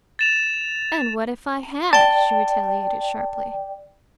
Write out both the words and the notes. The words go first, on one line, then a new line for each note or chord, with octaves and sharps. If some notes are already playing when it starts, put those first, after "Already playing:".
"And what if I had?" she retaliated sharply.
A6 E7 F7
D5 G5 A5